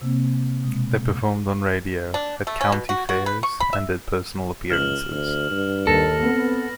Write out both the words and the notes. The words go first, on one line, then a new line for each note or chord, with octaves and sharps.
They performed on radio, at county fairs, and did personal appearances.
C3 A#3 C4
B2 G#3
D4
A3
C#4
B2
F#4
F#4
B4
C#6
B5
E5
C#2 F6 E7 F#7
D2
G2
D#2 A4 A#6
B3 C4